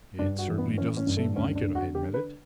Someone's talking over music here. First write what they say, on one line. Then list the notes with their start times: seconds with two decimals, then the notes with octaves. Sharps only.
"It certainly doesn't seem like it," I admitted.
0.19 G2 D4
0.39 F#4
0.48 E3
0.58 B3
0.78 E3 C#4
0.97 C#4
1.07 G2
1.17 A3
1.36 D2 C#4
1.55 D4
1.66 D3
1.75 F#4
1.95 D3 G4
2.14 B4